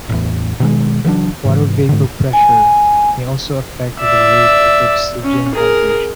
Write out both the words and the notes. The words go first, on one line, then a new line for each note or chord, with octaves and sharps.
Water vapor pressure may also affect the rate of obsidian hydration.
A1 E2
B2 D#3 G#3
C#3 E3 F#3 D4
G#2 E3
G#2 D3
G#5
D5 E5
C#4
G#4 A#4